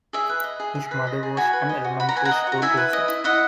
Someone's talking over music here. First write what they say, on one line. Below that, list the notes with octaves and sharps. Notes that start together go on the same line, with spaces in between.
His mother was an elementary school teacher.
G#4 E5
B4
D#5
G#4
G#4
B4
D#5
G#4
F#4 G#5 B5
B4
D#5
F#4
F#4 B5
A#5
B4 G#5
F#5 A#5
D#5
F#4
A#5
E4 E5 G#5
B4
D#5
E4
E4 D#5 F#5